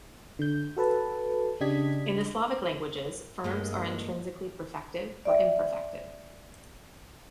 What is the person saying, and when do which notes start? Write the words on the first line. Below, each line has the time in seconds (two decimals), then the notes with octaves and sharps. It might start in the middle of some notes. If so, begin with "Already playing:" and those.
In the Slavic languages, verbs are intrinsically perfective or imperfective.
0.39 D3 G6
0.77 F#4 A4 B4 A5
1.61 C#3 D4 G4 D#5 G#6 B6
3.44 G2 G#3 A#3
5.25 D5 E5 G5